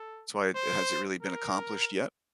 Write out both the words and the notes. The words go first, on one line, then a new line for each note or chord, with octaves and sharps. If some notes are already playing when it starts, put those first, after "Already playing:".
it's why has it really been accomplished yet?
Already playing: A4
C5
A#4